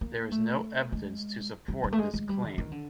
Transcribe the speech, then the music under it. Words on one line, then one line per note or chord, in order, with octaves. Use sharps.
There is no evidence to support this claim.
A#3
A3
G#3
G3
G3
A3
G#3
G#3
G3
D3
D#3
D3